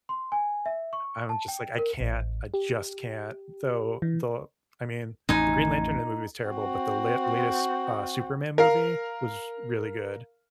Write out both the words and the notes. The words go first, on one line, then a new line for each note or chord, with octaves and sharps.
I'm just, like, "I can't. I just can't." Though the I mean, the Green Lantern in that movie was terrible, but the la latest, uh, Superman movie was really good.
C6
G#5
E5
C#6
A5
G5
A#4
A1
G4
E3
A1 F2 D#4 G#5
C4 F#4
A#4 F5